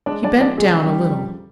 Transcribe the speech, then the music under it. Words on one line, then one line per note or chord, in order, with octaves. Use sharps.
He bent down a little.
G#3 D4 D5
D4 D5
F3
D4 D5
C#3 G#3 G#4
C#3 G3 G4
F2